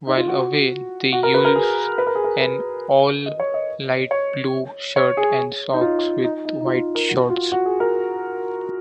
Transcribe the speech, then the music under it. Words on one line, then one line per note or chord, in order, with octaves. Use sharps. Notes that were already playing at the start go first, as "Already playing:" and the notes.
While away, they use an all light blue shirt and socks with white shorts.
D#4
F4
F#4
F#4
A#4
B4
A#4
G#4
B4
A#4
G#4
A#4
B4
D#5
C#5
D#5
C#5
C#5
G#4
D#4
F4
D#4
D#4
D#4
F4
A#4
F#4
F#4
F4
F#4
G#4
A#4